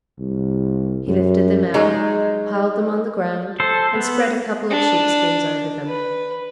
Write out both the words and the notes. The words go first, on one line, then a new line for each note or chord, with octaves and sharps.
He lifted them out, piled them on the ground and spread a couple of sheepskins over them.
C2
F#2
F#3 G#3 D#4
A4 C5
B3
D4
B4